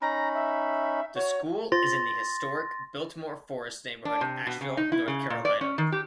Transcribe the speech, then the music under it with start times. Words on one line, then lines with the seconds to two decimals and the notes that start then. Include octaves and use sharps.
The school is in the historic Biltmore Forest neighborhood of Asheville, North Carolina.
0.02 C#4 D#4 A#5 B5
0.34 E5
1.15 F#4 C#5
1.72 F4 C5 C6 A6 A#6
4.05 D4
4.21 C3
4.47 B2
4.61 C#3
4.77 D#4
4.92 E4
5.08 C#3
5.30 A#2
5.45 D5
5.61 C#4
5.78 D#3
5.92 G4